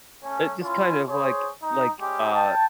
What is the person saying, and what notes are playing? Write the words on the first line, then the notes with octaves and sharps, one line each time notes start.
It just kind of, like like, uh
A3 C#4
C#4 E4 F4
G#4 C5 C#5
D#4
G3 G#3 C#4 G4
G5 A5